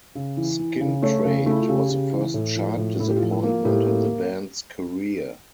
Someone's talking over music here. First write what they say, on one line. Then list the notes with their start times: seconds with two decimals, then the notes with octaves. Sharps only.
"Skin Trade" was the first chart disappointment in the band's career.
0.15 C#3
0.37 E3
0.59 E3
0.81 C#3
1.02 A3 C#5
1.25 C#3
1.46 A3 E4
1.60 F4
1.68 C#3 G4
1.90 C#3
2.12 E3
2.34 A2
2.56 F3
2.77 A2
3.00 A2 E4
3.10 G4
3.16 F4
3.21 F3
3.32 E4
3.43 A#3 F4
3.65 A2 G4
3.87 A#3